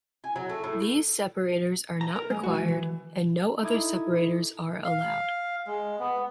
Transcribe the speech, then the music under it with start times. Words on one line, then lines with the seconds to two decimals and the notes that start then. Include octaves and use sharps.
These separators are not required, and no other separators are allowed.
0.24 G#5
0.36 F#3
0.50 A3
0.64 A2
2.01 A#5
2.16 A#4
2.30 G#3
2.44 F#4
2.55 E3
2.68 E3
3.63 D#4 E4 A4 D6 D#6 G#6
4.84 F5
5.67 G#3
5.99 B3